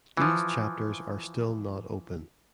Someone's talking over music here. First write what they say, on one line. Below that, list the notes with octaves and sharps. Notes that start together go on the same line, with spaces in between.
These chapters are still not open.
E3 F3